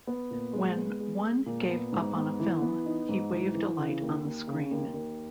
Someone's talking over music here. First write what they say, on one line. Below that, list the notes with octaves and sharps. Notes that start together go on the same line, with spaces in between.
When one gave up on a film, he waved a light on the screen.
B3
A#2
G#3
B3
G#3
G#3
A#2
B3
G#2
B3
E3
B3
D#4
G#2
E3
E3
C#3
D#2
D#2
C#3
D#2
D#2